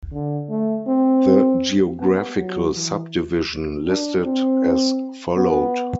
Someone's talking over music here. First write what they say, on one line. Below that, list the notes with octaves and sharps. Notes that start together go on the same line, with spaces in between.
The geographical subdivision listed as followed.
D3
A3
C4
B3
F#3
E3
D4
C4
B3